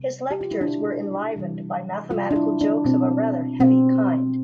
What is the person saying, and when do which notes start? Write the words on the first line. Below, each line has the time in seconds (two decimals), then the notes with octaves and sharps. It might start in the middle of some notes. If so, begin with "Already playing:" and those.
His lectures were enlivened by mathematical jokes of a rather heavy kind.
Already playing: C3 G3
0.31 G4
0.41 F4
0.51 E4
0.61 B2 A3 D4
1.36 C3 E3 G3
2.10 G3 F4
2.15 C3
2.31 D4
2.36 E4
2.61 D4
2.85 B2 A3 C4
3.60 B2 A3 C4